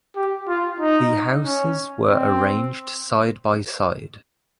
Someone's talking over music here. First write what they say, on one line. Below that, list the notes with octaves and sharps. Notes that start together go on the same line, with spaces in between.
The houses were arranged side by side.
G4
F4
D#4
C#4
C4